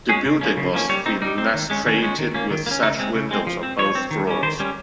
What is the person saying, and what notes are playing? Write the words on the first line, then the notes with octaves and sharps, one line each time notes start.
The building was fenestrated with sash windows on both floors.
G#3 C#4 G#4
C#3
F3 A#3 C#4
C#3
F3 A#3 C#4
G3 C#5
C4 D#4
G3 D#4
C4
D#3
G#3 C#4
D#3 C#4
G#3 C#4
D#3
A#3 C#4
D#3
A#3
C#4
C#3 D#4
G#3 C4
C#3
G#3 C4
F3
C4
F3 C#5
C4
D#3
G3 C#4
D#3 C5
G3 C#4